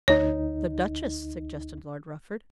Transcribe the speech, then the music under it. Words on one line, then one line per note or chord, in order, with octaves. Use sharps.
"The Duchess!" suggested Lord Rufford.
D2 D#4 C#5